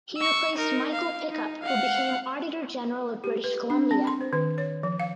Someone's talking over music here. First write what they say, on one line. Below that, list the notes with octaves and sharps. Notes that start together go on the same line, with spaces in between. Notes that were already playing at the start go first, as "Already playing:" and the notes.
He replaced Michael Pickup who became Auditor General of British Columbia.
C#6 E6
D#4 A#4
F5
D#4
F5 F#5
G4
B4
D4
C4
C6
C5
D#3
C#5
F3
F5